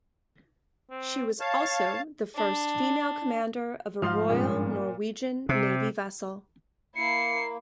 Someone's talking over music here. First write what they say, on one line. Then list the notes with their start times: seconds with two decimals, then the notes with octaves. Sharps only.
She was also the first female commander of a Royal Norwegian Navy vessel.
0.91 C4
1.40 C#5 F5 A5
2.35 D4
4.02 G#2 F3 F5 C6 F6
4.29 G2 A#2 G#3 C#4
5.49 C3
6.96 A#3 E4 C7 C#7